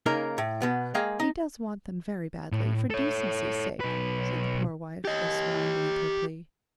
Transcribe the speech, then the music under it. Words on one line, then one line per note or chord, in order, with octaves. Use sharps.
"He does want them very badly--for decency's sake," said the poor wife, thus winding up her plea.
C#3 A#3 D#4 A#4
A2
B2 B3
G#3 A#3 G#4 F5 G5
D#4
A2
A4 C#5
B1 B4
G4 D#5